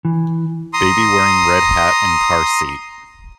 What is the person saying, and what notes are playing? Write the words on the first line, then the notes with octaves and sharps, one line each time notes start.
Baby wearing red hat in car seat.
E3
A#5 C6 D#6